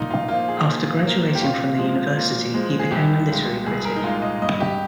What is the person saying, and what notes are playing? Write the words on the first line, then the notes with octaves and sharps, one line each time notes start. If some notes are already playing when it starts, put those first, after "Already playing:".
After graduating from the university, he became a literary critic.
Already playing: A#2 D#4
F4
F3 A#3 F4
G#4
A#2
F3 A#3
G4
A#2 F4
F3 G#3
A#2
F3 G#3
G#4
C2 G4
A#2 G#3
C2 G#4
A#4
D#4
A#2 G#3 F4
D#5
G2 D#5
G4